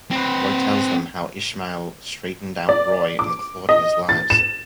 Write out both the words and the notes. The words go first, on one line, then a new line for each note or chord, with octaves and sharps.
Roy tells them how Ishmael straightened out Roy and Claudia's lives.
C4 B4
D5
D6
D#5
A6
E7